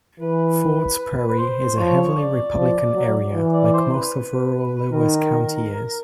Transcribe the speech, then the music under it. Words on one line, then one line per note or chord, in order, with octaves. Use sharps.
Fords Prairie is a heavily Republican area, like most of rural Lewis County is.
E3 B4
B4
B4
C5
F3 C#5
D5
F3
F#3
E3
D5
C5
B4
D#3 A#4